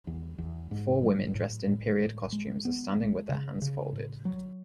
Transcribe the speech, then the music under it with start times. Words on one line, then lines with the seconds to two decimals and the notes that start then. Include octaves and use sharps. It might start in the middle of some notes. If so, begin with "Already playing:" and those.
Four women dressed in period costumes are standing with their hands folded.
0.07 E2
0.38 E2
0.71 G#2
1.03 F#3
1.35 A2
1.67 A2
2.00 A2
2.32 G#3
2.65 B3
2.97 G#3
3.29 C#3
3.62 C#3
3.93 A2
4.25 F#3